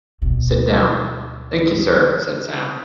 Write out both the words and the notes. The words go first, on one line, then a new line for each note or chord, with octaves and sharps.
'Sit down.’ ‘Thank’ee, sir,’ said Sam.
D2 B2